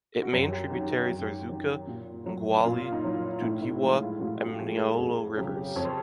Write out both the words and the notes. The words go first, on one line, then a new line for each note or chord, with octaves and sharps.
It main tributaries are Xuka, Mgwali, Dutywa and Mnyolo rivers.
F#4
F#2 G4
G4
D#3 F#3 F#4
G4
F#2 F#4
D#3 F#3
A#2
F#3
A#2 F4
D#4
F#3 E4
A2 E4
E4
F3 G#3 F4
F4
A2 F#4
G4
F3 G#3 G#4
A4
F2 G#4
C#3 F#3 G4
F2 C#5
C5